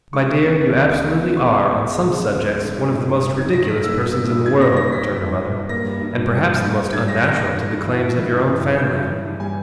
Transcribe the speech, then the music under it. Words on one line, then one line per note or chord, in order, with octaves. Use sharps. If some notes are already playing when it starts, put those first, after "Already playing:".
'My dear, you absolutely are, on some subjects, one of the most ridiculous persons in the world,' returned her mother, 'and perhaps the most unnatural to the claims of your own family.
G#3 C#6
C#2
B3
C#2
C#2
C#2
C#3
B3
C#3 C#6
G#3
G#3
G#3
G#3
G#3
C#2
G#3
G2
G2
G2
G2
G2 D#6
D#3 G#6
G2 A#6
G2 B6
A#3 E6
A#3 D#6 E6
A#3
E6
G2
D#3 G#6
A#3 A#6
G2 A#6
G2 B6
G3
G2
G2
G2
A#3 A#6
G3
G2
G2
G3
G2
G2
G2
G2 G#6
G3 A#6
G#6
G2 A#6
G3 A#6
G2
G2
E3
G2
E3
G2
E3
G2
G2 G6
G2
E3
G2
G3 G#5